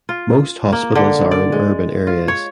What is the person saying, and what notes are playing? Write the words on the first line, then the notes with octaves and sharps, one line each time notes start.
Most hospitals are in urban areas.
F4
A#3
D3
D5
G#3
F4
C#5